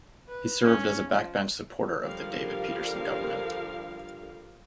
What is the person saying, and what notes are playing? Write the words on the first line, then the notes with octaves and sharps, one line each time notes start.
He served as a backbench supporter of the David Peterson government.
B4
C#4
F3
D3 F3 G3 A#4 F5